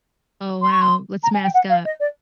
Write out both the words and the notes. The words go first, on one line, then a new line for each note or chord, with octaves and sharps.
Oh, wow. Let's mask up.
C6
C#6
C6
A#5
G#5
G5
F#5
F5
D#5
D5